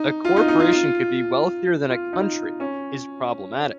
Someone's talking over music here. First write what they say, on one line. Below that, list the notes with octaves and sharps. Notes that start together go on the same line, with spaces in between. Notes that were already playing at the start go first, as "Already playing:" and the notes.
"A corporation could be wealthier than a country" is problematic.
Already playing: D#4
F4
D#4
D#4
F4
F4
F4
D#4
C#4